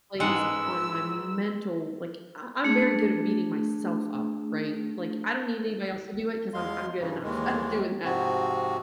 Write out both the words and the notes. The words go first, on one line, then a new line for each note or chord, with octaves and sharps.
plays on my mental, like I I'm very good at beating myself up, right? Like, I don't need anybody else to do it 'cause I'm I'm good enough at doing that,
A1 G#2 G#3 B4 F#5 G5 E6
A3 D4 G#4
E2 G#3 F5 C6
G2 C#3 E3
D#2 D#3 E3 G#3
G#2 C3 F3 C4 F#4